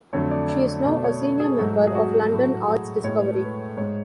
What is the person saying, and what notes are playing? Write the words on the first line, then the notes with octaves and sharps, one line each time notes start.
She is now a senior member of London Arts Discovery.
F2 D3 F#3 A3 C#5
D5
D5
B2 A3 D5
C#5
A4
G#4
G#2 F#3 A3 F#4
G#4
F#4
A2 F#3 A3
G#4
A2 G#3 C#5
B4
A4
B4
G#2 G#3 C#5